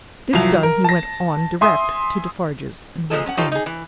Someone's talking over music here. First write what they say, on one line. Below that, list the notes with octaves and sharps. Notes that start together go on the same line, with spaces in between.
This done, he went on direct to Defarge's, and went in.
C2 F3 F#3 F7
A#4
A5 A#6
E5 G#5 C6 D#6
A#2 F3 G#3 A4
C#4 F#5
D#4 F4 G4 A4 C5 C#5
D#4 G#4
E3